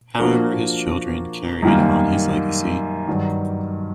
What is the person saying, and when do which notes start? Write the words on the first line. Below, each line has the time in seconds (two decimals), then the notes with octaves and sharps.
However his children carried on his legacy.
0.18 F3 A#3 D4 F#4 A#4
1.62 F#2 D#3 G3 A#3
3.08 G2 D#3 F#3